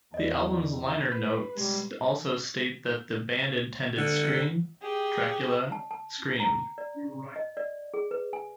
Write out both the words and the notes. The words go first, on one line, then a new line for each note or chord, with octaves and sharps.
The album's liner notes also state that the band intended Scream, Dracula, Scream!
E2 D5 D#5
B4
B2 G3 G#3
D3
G4 G#4
A5
A5
A#5
D5
D#5
D5
G#4
B4
G#5